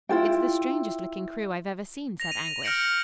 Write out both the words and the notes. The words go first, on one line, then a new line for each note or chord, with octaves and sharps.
"It's the strangest-looking crew I've ever seen," said Anguish.
E4 F4 A4 G5
A#6 F7
A#6 D#7
F6 G6 A#6 C#7 D7 F#7